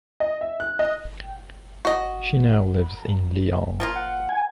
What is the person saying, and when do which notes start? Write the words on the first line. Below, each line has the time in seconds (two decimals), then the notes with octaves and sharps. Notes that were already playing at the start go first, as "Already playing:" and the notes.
She now lives in Lyon.
0.20 D#5
0.41 E5
0.60 F#6
0.79 D#5
1.85 F#4 D#5
3.80 F3 A#3 F4
3.96 F#5
4.29 G#5